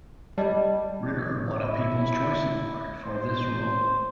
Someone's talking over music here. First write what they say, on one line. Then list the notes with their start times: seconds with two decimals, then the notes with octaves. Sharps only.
Ritter won a People's Choice Award for this role.
0.38 G3 D5 D#5 A5
1.59 E4
3.04 C5